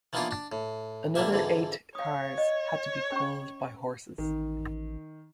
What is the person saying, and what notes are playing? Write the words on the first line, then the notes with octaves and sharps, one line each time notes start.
Another eight cars had to be pulled by horses.
D#3 E3 A#3 B3 D4 F4
D4
A2
C2 D3 E3 G3 A#3 E5
F2 G#2 D3 E3
C#5 F5 D#6
D#5
C#4 C#6
A1 D#3